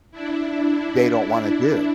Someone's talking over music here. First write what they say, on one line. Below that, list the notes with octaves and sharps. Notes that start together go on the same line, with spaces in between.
they don't wanna do."
D4 E4